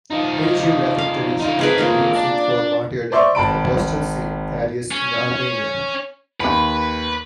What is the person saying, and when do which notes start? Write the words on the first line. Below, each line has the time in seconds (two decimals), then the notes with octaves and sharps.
Hagiographic tradition blames him for the martyrdom of the Apostle Saint Thaddeus in Armenia.
0.11 F3 D#4
0.98 F5
1.40 D#4 F4
1.59 G#3 C4 G#4 A#4 B4
1.78 A#3 F4 D#5
2.15 D4
3.12 C5 D5 E5 C6 C#6
3.35 G#1 A5 B5 D7
4.91 C#4
6.40 D#2 B4 B5